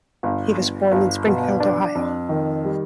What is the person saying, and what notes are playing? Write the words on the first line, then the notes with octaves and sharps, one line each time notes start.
He was born in Springfield, Ohio.
G1
G1
G1
B2
D4
F2
D#3
G3